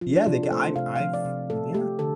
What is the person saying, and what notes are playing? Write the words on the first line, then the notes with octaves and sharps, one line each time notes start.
Yeah, the g I'm I've Yeah.
F3 F4
D4
C3 F4
A4
A3 C5
C3 F5
F5
F3
D5
C3
A3 A4
A3 G4
D3 A4